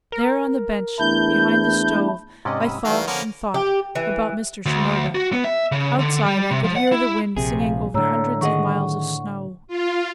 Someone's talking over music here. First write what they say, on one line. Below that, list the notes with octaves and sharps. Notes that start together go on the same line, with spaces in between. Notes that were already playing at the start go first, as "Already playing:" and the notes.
There, on the bench behind the stove, I thought and thought about Mr. Shimerda. Outside I could hear the wind singing over hundreds of miles of snow.
A#4
E2 A3 D4 E4 G6
G#2 C3 C#4 D5 D#5
B5 D#6 E6
D#3 E3 G3 A3 F#4 F5 A#5
D3 F3 A#3 B3 C#4
G4
E3
D2
F#4
B3
E5
C#3
D3
G3
C3
F3
F#5
E4
A#1 C3 G#4
F5
A2 D3 C#5 A#5 E6
D#3 G#4 D#5 F#5 C#6
F4